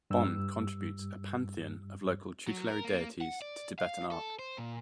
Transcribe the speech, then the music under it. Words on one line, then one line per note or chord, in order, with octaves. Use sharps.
Bon contributes a pantheon of local tutelary deities to Tibetan art.
G2 G3 E6
F#3
A#4
A#3
F#5
D5
F5
A4
C5
A#2